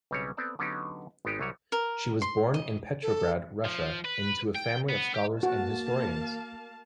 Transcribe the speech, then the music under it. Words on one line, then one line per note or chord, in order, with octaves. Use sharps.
She was born in Petrograd, Russia into a family of scholars and historians.
B1 C#3 G3 C4 C#5
B3 C4 A4 D5 A5
D3 F#3 B3 C#4 D#4 G4
G#1 G#3 B3 D#4 G4 B4
C2 F#3 G3 C#5
A#4
C6
D#5
A4
F3
B4
G5
B3
G4
A#3 F#4 F5 A5